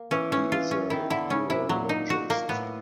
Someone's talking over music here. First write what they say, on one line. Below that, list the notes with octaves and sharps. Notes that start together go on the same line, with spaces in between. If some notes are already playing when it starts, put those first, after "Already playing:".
He is a urologist.
Already playing: A#3
E3 C#4
C#4
F4
C#4
D#3 E4
D3 E4
C#3 C#4
C3 E4
A#2 F#3
D#4
F#4
A#3
A2 B3